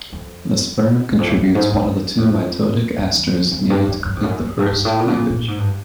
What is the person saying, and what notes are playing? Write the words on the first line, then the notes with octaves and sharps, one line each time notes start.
The sperm contributes one of the two mitotic asters needed to complete first cleavage.
F2
E2
F2
E2
F#2
G#2
F#2
F#2
F2
E2
E2
F2
G2
F#2
F#2
F2
F#2
F#2
G2
G2
A2
A#2
B2
A#2
A#2
G#2
G2